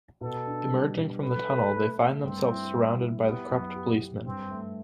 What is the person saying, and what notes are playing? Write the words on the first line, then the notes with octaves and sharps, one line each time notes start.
Emerging from the tunnel, they find themselves surrounded by the corrupt policemen.
B2 A4
D4
G3
B2
A4 B4
A4
A3
A3
G2 C4
E4
G2
E4
B3 G4
F#2
G4
G4
G2 C4
A3